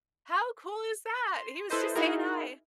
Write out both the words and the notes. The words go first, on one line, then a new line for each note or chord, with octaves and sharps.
How cool is that? He was just saying "Hi!" and
C6
E4 A4 B4 C5 D#5
D#4 E4 F#4 G#4 A#4